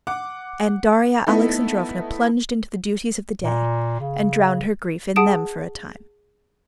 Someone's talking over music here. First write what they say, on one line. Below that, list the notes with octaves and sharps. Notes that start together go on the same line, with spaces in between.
And Darya Alexandrovna plunged into the duties of the day, and drowned her grief in them for a time.
F#5 D6
A3 B3 D#4 E4 A4
A#2
C#3
G#4 F#5 A5 D#6 D7 E7